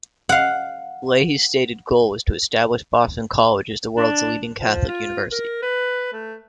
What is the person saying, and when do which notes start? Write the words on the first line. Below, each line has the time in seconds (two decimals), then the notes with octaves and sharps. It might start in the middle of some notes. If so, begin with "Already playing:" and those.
Leahy's stated goal was to establish Boston College as the world's leading Catholic university.
0.29 F5 F#5
3.97 D4
4.60 F3
4.88 F4
5.32 A#4
5.62 B4
6.13 A3